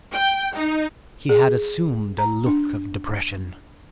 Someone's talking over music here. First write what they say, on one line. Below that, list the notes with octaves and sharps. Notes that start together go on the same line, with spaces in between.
He had assumed a look of depression.
G5
D#4
G#4
A#5
D4